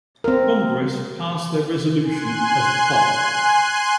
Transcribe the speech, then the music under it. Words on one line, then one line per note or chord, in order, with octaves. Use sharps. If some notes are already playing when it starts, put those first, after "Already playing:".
Congress passed their resolution as Pub.
C4 A#4
G#5 C6 F#6